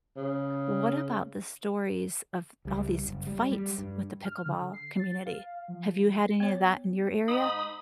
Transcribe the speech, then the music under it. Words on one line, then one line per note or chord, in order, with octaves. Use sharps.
What about the stories of all these fights with the pickleball community? Have you had any of that in your area?
C#3
C#2 G3
F#1
G3
G3
G2
F6
D3
C7
A6
F5
F3
B3 C#5
G#2 D#4 B5 D#6